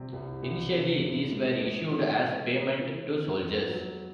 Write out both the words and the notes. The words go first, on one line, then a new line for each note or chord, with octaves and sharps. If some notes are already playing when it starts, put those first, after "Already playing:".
Initially, these were issued as payment to soldiers.
Already playing: C3 G3
C2
C2
C3
E3
G#3
G#3
E3
A3
C4
E3
B3
F2
F#3